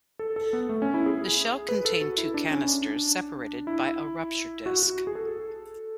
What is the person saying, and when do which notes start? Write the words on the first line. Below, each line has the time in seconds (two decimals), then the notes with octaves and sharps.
The shell contained two canisters separated by a rupture disk.
0.19 A4
0.36 A4
0.53 B3
0.69 A3
0.82 C#4
0.94 E4
1.06 G#4
1.69 B4
1.85 A4
2.01 F#4
2.18 E4
2.34 D4
2.51 C#4
2.68 D4
3.67 E4
4.66 F#4
4.83 F#4
5.07 G#4
5.15 A4